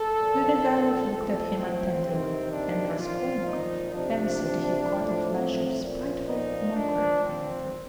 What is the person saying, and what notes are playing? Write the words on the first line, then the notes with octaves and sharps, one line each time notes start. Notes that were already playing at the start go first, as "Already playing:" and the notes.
Svidrigailov looked at him attentively and Raskolnikov fancied he caught a flash of spiteful mockery in that look.
Already playing: A4
A#2 F3
A2 F3 A4
C4
C3 D#3 C4
D4
A#2 F3 F4
D#4
C3 F3 D4
A2 F3
C4
A#2 F3
D#4
A#2 F3 D4
C4